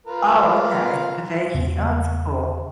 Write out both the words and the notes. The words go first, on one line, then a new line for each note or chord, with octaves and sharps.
Oh okay, "Dhivehi," oh it's cool.
F4 A#4 B4
E2 C#3 B3